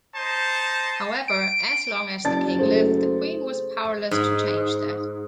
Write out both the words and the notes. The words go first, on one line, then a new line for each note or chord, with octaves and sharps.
However, as long as the king lived, the Queen was powerless to change that.
D#4 C5 A5
D7
F#1 D5 A5 A6
A3 G#4 C5
G#2